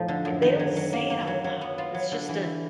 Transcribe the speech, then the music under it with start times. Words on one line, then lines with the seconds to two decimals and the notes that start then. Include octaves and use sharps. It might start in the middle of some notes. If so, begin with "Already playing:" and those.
Yeah, they don't say it out loud, it's just a
Already playing: F2 A2 F3 D#4
0.08 D3
0.25 F#2
0.42 D#3
0.59 F#3
0.76 F#3
0.93 A#3
1.10 A#3
1.27 F#3
1.44 F#3
1.61 B3
1.78 F4
1.94 F#3
2.12 D3
2.29 E3